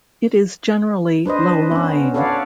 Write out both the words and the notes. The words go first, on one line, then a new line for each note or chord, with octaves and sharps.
It is generally low lying.
D4 B4 C5 D#5
B3 C#4
A4 B4 C#5 D5 F5 F#5